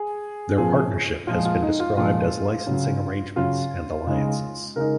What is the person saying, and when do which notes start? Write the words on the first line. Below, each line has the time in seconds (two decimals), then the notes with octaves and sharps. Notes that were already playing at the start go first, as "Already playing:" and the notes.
Their partnership has been described as licensing arrangements and alliances.
Already playing: G#4
0.58 A#2 F3 C4 G#4
1.27 A#2 F3 G#3 F4
1.45 F4
1.62 D#4
1.80 F4
1.97 A#2 F3 G#3 F4
2.67 C#3 F#3 C#4
3.36 C#3 F#3 C#4 F4
4.06 C#3 G#3 D#4
4.76 C#3 G#3 D#4 A#4